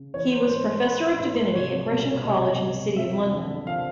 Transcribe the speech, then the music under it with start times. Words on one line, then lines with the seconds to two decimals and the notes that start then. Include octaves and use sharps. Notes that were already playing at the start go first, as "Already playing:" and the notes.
He was Professor of Divinity at Gresham College in the City of London.
Already playing: C#3
0.14 E3 C#5
0.32 C5
0.49 G#2 C5
0.85 G#2 B4
1.20 G#2
1.55 C2 C#5
1.90 B2
2.25 C2 D#5
2.61 B2
2.96 F2 E5
3.31 D3
3.67 F3 F5